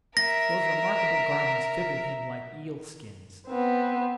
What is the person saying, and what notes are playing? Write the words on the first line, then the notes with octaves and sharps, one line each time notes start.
Those remarkable garments fitted him like eel-skins.
A#4 E5 A#6
B3 C4